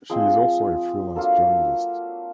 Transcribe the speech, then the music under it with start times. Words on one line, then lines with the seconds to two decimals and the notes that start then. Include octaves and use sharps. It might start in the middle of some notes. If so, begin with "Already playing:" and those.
She is also a freelance journalist.
0.10 F3 G#3 C4 G#4
1.16 F#3 A#3 D4 F4 A4